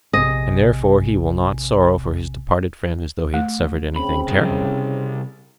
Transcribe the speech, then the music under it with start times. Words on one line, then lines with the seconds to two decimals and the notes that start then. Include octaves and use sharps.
And therefore he will not sorrow for his departed friend as though he had suffered anything terrible?
0.13 A#1 C3 D#5 G#5
3.34 A3
3.96 C#3 C4 B5
4.28 C3 G3